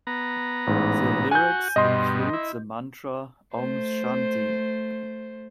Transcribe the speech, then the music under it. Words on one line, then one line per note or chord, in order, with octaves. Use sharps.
The lyrics include the mantra Om shanti.
B3 A#5
A1 G#2
F#4 G#5 G6
G2 B2 D#5 C6
E4
A3 C5